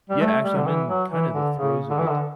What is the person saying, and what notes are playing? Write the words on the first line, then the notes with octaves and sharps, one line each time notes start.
Yeah, actually, I'm in kind of the throes of it
G3
A3
G3
D3
E3
F#3
E3
D3
C#3
D3
E3
D3